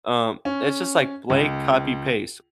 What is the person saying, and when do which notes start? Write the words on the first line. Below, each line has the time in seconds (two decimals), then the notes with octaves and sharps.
Um, it's just, like, blank, copy, paste,
0.45 C#4
1.30 C#2